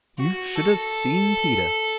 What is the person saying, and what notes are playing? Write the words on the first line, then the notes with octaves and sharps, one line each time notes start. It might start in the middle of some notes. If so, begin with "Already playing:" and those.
You should have seen Peter.
F#4
A4